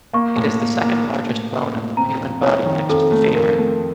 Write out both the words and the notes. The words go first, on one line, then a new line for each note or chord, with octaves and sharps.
It is the second largest bone in the human body next to the femur.
A#3 C#6
A2
A#3
A#3
A#3
A2
A#3
A2
C4 A#5
F2
C4 C#5
D#3
F2 A4
A3
F2 A#4
A3